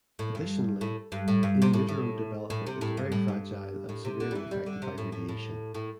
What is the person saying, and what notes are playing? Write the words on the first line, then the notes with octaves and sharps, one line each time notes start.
Additionally, in-utero development is very fragile and severely effected by radiation.
A2
G2
A2
G2
A2
G2
C3
A2
A2
A2
C3
A2
G2
A2
G2
A2
C3
D3
G3
E3
G3
D3
C3
A2
A2
A2
A2